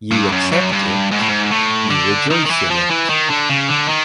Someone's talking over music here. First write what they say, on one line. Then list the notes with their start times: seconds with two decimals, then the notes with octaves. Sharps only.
You accept it, you rejoice in it.
0.11 G2
0.32 F#2
0.51 F#2
0.72 G2
1.11 G#2
1.19 A2
1.28 G#2
1.51 A2
1.90 D3
2.30 D#3
2.46 D#3
2.50 E3
2.70 F3
2.90 E3
3.09 D#3
3.30 D3
3.50 C#3
3.69 D3
3.89 D#3